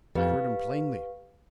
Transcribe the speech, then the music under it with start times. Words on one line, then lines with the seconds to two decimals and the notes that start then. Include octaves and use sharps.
I heard him plainly.
0.15 F2 G4 B4 F5